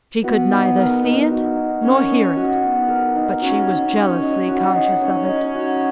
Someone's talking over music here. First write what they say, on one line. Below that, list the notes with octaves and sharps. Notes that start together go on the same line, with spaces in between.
She could neither see it nor hear it, but she was jealously conscious of it.
B3 F#4
D#4
A#4
D#4
F#4
D#4
C#4 A#4
D#4
F#4
B3 D#4
A#4
D#4
C#4 F#4
D#4
C#4
C#5
D#4
F#4
D#4
C#4 C#5
D#4
F#4